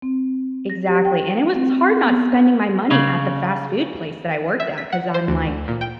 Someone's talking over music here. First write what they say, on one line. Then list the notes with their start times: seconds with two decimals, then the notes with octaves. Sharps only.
Exactly. And it was hard not spending my money at the fast food place that I worked, 'cause I'm like,
0.02 C4
0.70 A#6
0.87 G4
1.05 G5
1.55 C4
2.02 B3
2.91 C#3
4.60 E5
4.78 B6
4.92 F#5
5.14 C5
5.28 D2
5.47 D2
5.68 A#2
5.81 G5